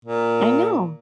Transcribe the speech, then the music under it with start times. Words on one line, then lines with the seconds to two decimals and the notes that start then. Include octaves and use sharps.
I know.
0.05 A#2